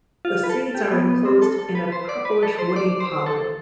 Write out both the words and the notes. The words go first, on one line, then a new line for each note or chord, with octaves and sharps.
The seeds are enclosed in a purplish woody pod.
F4
B4
A4
G4
B3
B3
C4
A4
A4
B4
C5
D5
B4
A4
C5
D5
C5
A4